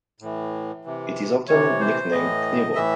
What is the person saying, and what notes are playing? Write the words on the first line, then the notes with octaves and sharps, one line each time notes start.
It is often nicknamed Knievel.
A2 E3
C3 E3
C3 E3 C#5
C5
A2 E3 D#5
A2 E3 E5